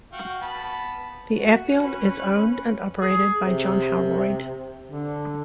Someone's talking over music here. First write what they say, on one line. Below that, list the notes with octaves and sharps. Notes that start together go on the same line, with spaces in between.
The airfield is owned and operated by John Howroyd.
F#4 F5 G5
B3 A5 B5
F#4
C#4 B4
G#4
C3
D3